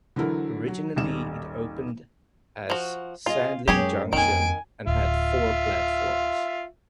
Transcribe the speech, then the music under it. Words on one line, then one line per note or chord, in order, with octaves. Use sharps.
Originally it opened as Sandling Junction and had four platforms.
D3 E3 F#3 E4 A#4
F#3
D#1 G#1 E7
F3 F#4
F4 G#4 D#5
F#2 G#3 G4 G#4 C#5
F2 D#3 A#3 G#5 D7
D1 F4 E5